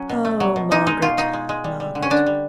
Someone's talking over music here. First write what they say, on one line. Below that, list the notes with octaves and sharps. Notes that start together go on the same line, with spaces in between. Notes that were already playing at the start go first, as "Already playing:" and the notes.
Oh, Margaret, Margaret!
Already playing: F#3 C#4
B2
A3
F#3
B2
G#3 D#4
G#3 D#4
B2 F4
B2 D#4
G#3
G#3
G3
G3
D3
C#4
D3 D4
G3